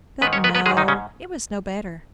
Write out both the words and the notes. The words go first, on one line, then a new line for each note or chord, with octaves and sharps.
But no; it was no better.
G#2 D#3 B3 B4
C#4 C#5
B3 B4
B3 B4
D#3 G#3 G#4
G#2
D#3 D#4
C#3 C#4